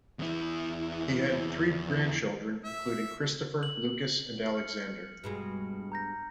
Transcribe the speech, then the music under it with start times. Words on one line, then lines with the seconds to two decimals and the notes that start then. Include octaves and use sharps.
He had three grandchildren including Christopher, Lukas, and Alexander.
0.19 E2 E4
2.64 E5
3.63 F#7
4.55 F6 C#7
5.24 G2 B2 G#3
5.92 A#5 G6 A#6